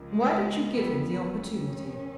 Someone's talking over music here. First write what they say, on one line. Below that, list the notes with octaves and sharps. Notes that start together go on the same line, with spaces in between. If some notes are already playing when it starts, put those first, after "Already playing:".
"Why don't you give him the opportunity?"
Already playing: C#2 C#3 F3 A#3
G#3
F2 F3 A#3 B3
B3
C#4